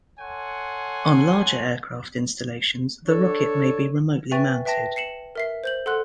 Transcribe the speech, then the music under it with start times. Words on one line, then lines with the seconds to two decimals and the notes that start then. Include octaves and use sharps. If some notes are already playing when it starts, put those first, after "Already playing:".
On larger aircraft installations the rocket may be remotely mounted.
0.19 A4 C#5 F#5 G#5 C6
3.07 D4 A4 C#5
4.31 B4 E5 G5 G#5 C#6 A6
4.65 B4 E5 G5 A5 A#6
4.96 C7 C#7 E7 F#7
5.35 A#4 E5 C7
5.64 C5 G6 F#7
5.86 A4 F#5 C6 F#6